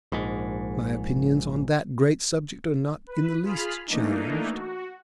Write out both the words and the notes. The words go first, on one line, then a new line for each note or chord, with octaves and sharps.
My opinions on that great subject are not in the least changed.
A#1 G#2
B4
F4 G#4 B5 F6
E3 A3 A#3 D4 D#4
F#4